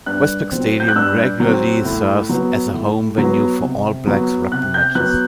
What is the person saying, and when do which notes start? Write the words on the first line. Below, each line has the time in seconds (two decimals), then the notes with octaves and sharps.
Westpac Stadium regularly serves as a home venue for All Blacks rugby matches.
0.06 G2 F#6
0.51 F#3 C4
0.80 G6
0.88 F#6
0.96 G2 E6
1.40 F#3 C4
1.85 A2
2.29 F#3 B3
2.73 A2
3.18 F#3 B3
3.63 C3
4.07 F#3 B3
4.52 C3 F#6
4.74 G6
4.95 F#3 B3 F#6